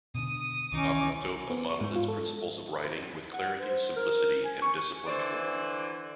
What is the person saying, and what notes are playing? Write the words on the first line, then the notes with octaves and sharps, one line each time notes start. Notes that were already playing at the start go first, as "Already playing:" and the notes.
Akhmatova modeled its principles of writing with clarity, simplicity, and disciplined form.
B2 D3 D#6
C2 D#3 E3 C#4 D#4 D6
B3
C#6
G#2
F4
A4
F#5
C5
A#4
G#5
C#6
D3 E3 C5 D5